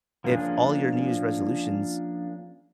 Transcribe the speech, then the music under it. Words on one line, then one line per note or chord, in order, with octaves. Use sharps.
if all your New Year's resolutions
F3 A#3 C#4 D4 G#4